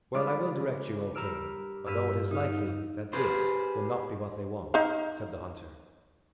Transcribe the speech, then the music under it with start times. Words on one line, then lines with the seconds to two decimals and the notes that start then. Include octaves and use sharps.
"Well, I will direct you, O king, although it is likely that this will not be what they want," said the hunter.
0.14 G3 G#3 D4 F4 B4 D5
0.56 C#3
1.15 G3 A#4 E6 F6 D7
1.86 G2 F5 E6 G6 B6 D#7
2.31 D#4 F5
3.13 G4 G#4 B4 C5
4.74 D#4 F5